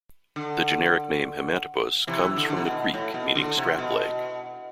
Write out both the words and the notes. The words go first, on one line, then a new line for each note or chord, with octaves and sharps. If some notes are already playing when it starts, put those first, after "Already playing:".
The generic name "Himantopus" comes from the Greek meaning "strap-leg".
D3
C3 E3
D3
D3
C3
B2
A2
B2
D3
C3
B2